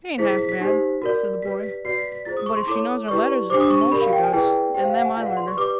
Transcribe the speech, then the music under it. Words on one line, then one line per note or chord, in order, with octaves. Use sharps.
'She ain't half bad,' said the boy; 'but if she knows her letters it's the most she does--and them I learned her.'
E4 G#4 C5 B6
B6
B6
B6
D#4 G4 C5
F#4 A#4 D5
G4 B4 D5 B6
B6
F#4 B4 D5 C7
B6
B6
F4 G#4 C5 A6
D#6
C#6
C6
E4 A4 C#5 D6
E4 G4 B4 D5 C#6
D4 G4 C5 D6
D#6
C#6
C#6
G4 A#4 D5 B5
F5
G5
G#5
E4 G#4 B4 D5 G5
G4 C5 G5
F5
F#5
G#5
F4 G#4 B4 D5 F5
F#5
C6
C#6
G4 B4 D5 D6